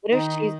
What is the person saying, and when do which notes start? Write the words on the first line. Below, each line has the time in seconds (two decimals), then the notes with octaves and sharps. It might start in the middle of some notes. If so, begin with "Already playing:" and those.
what if she's
0.12 D#3 D#4